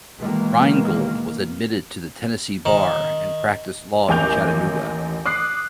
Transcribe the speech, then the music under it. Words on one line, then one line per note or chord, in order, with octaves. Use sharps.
Reingold was admitted to the Tennessee bar and practiced law in Chattanooga.
B2 D#3 E3 G#3 A#3
D#3
A1 D#2 G#5 D6 G6 F7
D6 D#6 F#6 C7